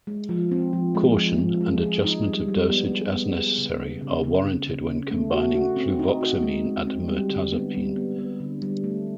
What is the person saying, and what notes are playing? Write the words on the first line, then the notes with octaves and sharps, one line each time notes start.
Caution and adjustment of dosage as necessary are warranted when combining fluvoxamine and mirtazapine.
G#3
F3
C4
F3
G#3
F3
F3
G#3
G#4
D#4
G3
G3
B3
G#4
B3
G#4
C#3
C#3
C#3
C#3
C#3
C#3
C#3
A3
F#4
F#4
C4
D#4
F#4
G#3
C4
C4
G3
D3
B3
G3
B3
B3
D3
G3
A3